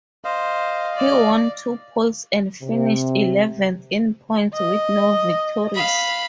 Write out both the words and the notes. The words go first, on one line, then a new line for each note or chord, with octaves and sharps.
He won two poles and finished eleventh in points with no victories.
C5 D#5 F5
D5
C3
D#5
F5 B5